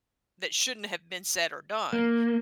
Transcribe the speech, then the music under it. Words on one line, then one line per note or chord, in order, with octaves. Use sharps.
that shouldn't have been said or done,
A#3